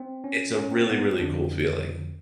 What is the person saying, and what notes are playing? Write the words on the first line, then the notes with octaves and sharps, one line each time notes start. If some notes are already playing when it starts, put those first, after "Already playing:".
it's a really, really cool feeling
Already playing: C4
C#4
C#4
C4
B3
C4
F2 D3 F3 D4